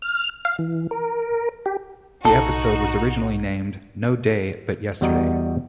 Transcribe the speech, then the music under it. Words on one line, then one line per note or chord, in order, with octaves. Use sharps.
The episode was originally named "No Day but Yesterday".
F6
F5
E3
A#4
G4
B1 A2 D#4 F#4 A4
E2 G3 F#4 D#5 A#5